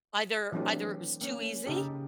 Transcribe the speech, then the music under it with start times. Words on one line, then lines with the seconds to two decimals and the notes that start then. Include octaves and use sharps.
Either either it was too easy,
0.52 E3 F#3 A3 C4 D4 G4
1.21 A#3 C#4
1.66 C#3 D#4 G4 A4